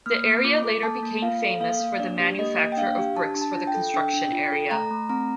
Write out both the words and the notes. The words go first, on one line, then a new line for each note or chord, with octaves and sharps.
The area later became famous for the manufacture of bricks for the construction area.
A#3 F6
A#3
F4 D6
A4 D6
A#3 A5
A#3
F4 F5
A4
A#3 F5
A#3
D4 D5
G4
A#3 D#5
A#3
G5
D4 F5
G4
D4 A5
D4
A5
F4
G5
A4
D4 G5
D4
F4
A4
A3 A#5
A3
C4 A#5